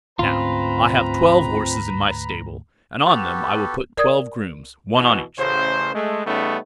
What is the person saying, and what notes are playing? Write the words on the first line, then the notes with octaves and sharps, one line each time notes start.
Now, I have twelve horses in my stable, and on them I will put twelve grooms, one on each.
D2 G#2 C4 C#4 F4 B4 A#5 B5
B3 F#4 G4 A4
A#4 D5 D#6 G#6
B2 E3
A1 C#3 C5
G#3 A3
C#3 G3 A3 B3 C#4 D#4